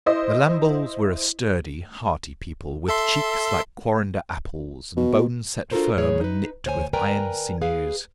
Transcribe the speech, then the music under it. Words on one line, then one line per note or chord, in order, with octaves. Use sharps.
The Lamboles were a sturdy, hearty people, with cheeks like quarrender apples, and bones set firm and knit with iron sinews.
E4 C5 D#5
A4 E5 C6
B2
D4 F4 F#4 A4 A#4 C5
A2 F#3 G#4 C#5
D#4 B4
D2 C5 C#5 F#5 G#5
A#4 B4 D5 G5 G#5 A#5
G#4 B4 F5